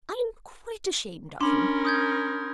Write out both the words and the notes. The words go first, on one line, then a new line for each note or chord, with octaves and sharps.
I am quite ashamed of him.
C#4 D4 A#4 B5 C6
D#6 G6 G#6